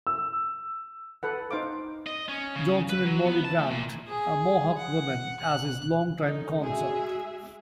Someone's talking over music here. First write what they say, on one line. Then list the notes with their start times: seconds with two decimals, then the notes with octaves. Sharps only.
Johnson had Molly Brant, a Mohawk woman, as his longtime consort.
0.07 E6
1.23 A4 B4 F#5
1.51 D#4 C5 F5 D6
2.06 D#5
2.29 C#4
2.55 C#3
2.90 B4
3.05 F#3
3.25 B3
3.45 A5
3.59 A3
3.70 A#2
4.08 G#4
4.78 F#5
5.40 F#6
6.19 C#4 D#4 A4
6.59 G#3 F#4 G#4 E5